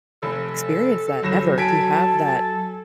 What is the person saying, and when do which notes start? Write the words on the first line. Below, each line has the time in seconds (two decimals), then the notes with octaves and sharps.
experience that, ever, to have that
0.23 F1 A4
1.23 G1 F#3 A#6 E7
1.58 A4 G#5 A5 B6 D7